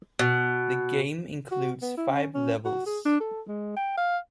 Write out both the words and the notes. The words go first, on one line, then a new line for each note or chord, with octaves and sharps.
The game includes five levels.
B2
F#4
B3
E4
C#4
C#4
F#4
G#4
D4
A4
G#3
G5
F5